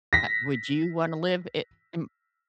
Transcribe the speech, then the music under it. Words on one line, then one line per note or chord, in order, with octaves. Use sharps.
Uh, would you wanna live i m
A#6 B6